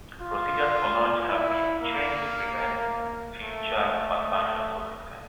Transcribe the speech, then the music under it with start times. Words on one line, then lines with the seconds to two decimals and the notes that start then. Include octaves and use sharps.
Procedures for launch have been changed to prevent future malfunctions of this kind.
0.21 F4
1.28 E4
1.82 A#3
3.42 A3